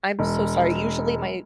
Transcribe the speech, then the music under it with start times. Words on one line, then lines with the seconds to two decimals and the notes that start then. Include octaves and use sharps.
I'm so sorry, usually my
0.19 E1